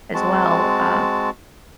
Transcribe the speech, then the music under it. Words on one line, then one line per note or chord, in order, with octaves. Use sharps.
as well, um
G#3 C4 F#4 A5